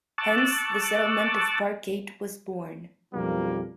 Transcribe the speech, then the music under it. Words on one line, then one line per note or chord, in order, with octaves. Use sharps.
Hence the settlement of Parkgate was born.
A5 C#6 D6 E6 F#6 A6
B1 F2 F3 G3 A#3